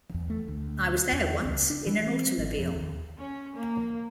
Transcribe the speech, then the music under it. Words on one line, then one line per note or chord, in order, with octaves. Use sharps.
I was there once in an automobile.
E2
A3
D2
E2
C#2
D4
E3
C4
G#1
F2
D#2
C#4
A#3